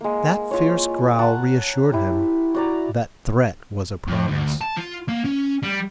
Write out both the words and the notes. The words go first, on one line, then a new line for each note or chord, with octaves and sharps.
That fierce growl reassured him; that threat was a promise.
G#3 A#3
F4 C#5
F#5 A5 A#5 C#6
E4 G4
F#4 D5 A#5
F2
D2
A5
F4
A#3
C#4
G3